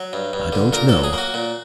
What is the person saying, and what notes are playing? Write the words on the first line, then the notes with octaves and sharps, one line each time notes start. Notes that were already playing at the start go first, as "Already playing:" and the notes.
I don't know.
Already playing: F#3
G2
G2
D3
A#2 A#4
F#3 A4
G#4
A#3 F#4
A#2